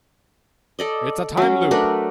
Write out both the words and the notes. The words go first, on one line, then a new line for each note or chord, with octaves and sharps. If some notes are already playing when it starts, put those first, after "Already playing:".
It's a time loop!
A4 D5 D#5
F#3 C#4
A3 D4 A#4 B4